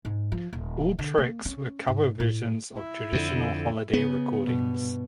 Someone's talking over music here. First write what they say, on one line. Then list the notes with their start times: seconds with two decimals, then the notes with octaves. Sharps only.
All tracks were cover versions of traditional holiday recordings.
0.05 G#2
0.32 F3
0.53 D#1
0.99 D3
1.18 A#3
1.45 C#4
1.87 G#2
2.20 A2
2.77 E4
3.13 F2 D3
3.93 C#3 B3
4.44 G2 B2